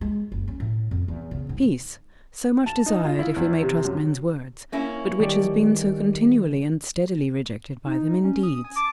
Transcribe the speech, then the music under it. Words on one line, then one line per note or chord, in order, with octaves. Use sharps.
Peace so much desired, if we may trust men's words, but which has been so continually and steadily rejected by them in deeds.
G#3
F#1
C#4
A2
F2
E2
C#3
G#2
A5
D#4
F4
E4
E2
C3
F#2
A#3 C#4 E4
D#3 G3 G4 A4 D5
D#4
C#4
D#6
G#5
A5 D6